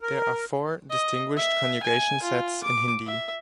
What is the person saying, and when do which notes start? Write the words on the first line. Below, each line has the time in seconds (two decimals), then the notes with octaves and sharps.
There are four distinguished conjugation sets in Hindi.
0.01 A#4
0.91 D#5
1.37 E5
1.83 G#5
2.23 F4
2.64 D6
3.07 E5